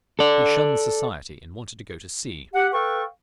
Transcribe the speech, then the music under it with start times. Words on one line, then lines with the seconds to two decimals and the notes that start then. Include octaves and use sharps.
He shunned society and wanted to go to sea.
0.19 A4 D5
2.54 G4 F#5
2.73 A4 B4 F5 G5 C#6